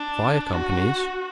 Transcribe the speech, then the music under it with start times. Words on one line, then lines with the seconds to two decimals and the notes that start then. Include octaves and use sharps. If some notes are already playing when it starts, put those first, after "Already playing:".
Fire Companies.
Already playing: D4
0.53 F#4